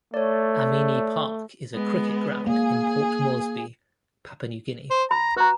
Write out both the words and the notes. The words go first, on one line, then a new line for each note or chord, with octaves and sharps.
Amini Park is a cricket ground in Port Moresby, Papua New Guinea.
A3 C#5 D5
G#3 B3
A#3 G#4
C5
A#5 B5
F#4 B4 A#5